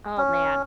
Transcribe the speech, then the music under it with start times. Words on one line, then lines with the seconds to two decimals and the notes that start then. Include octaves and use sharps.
oh man.
0.17 C#4